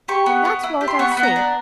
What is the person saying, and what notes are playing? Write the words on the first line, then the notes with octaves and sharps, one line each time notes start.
That's what I say.
G4 C#6
B3
B3
E4
G4
C6
B3 C#6
B5
B3
A#5
D4